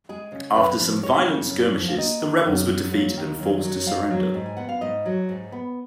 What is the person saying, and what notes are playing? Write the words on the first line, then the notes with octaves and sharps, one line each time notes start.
After some violent skirmishes the rebels were defeated and forced to surrender.
G#3 G#4
C#3
F#2 B4
F3
G#3 C#5
C#3
F#2
F3
F5
A#3 D#5
D#3
F#2
F#3
A#3
D#3
F#2
F#3
G#2 F5
F#3
G#2
G#5
B3 F#5
F5
G#2 D#5
F#3
G#2
B3